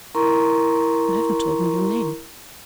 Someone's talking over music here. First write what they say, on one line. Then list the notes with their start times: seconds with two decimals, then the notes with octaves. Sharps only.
"You haven't told me your name."
0.15 E4 A#4 A#5 C6 C#6